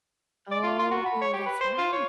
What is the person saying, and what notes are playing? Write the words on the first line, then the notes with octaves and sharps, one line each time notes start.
Oh, that's right.
D5
F4
F4
F#4
B5
C#5
G4
B4
C5
F4
C#5